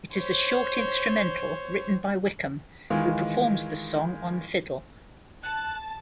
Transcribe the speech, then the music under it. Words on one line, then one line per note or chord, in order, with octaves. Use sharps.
It is a short instrumental written by Wickham, who performs the song on fiddle.
C5 C#5
D#3 E3 G#3 F4
A5 F#6